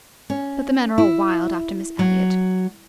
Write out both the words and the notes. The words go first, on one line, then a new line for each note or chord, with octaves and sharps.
But the men are all wild after Miss Elliot.
C#4
E4
F#3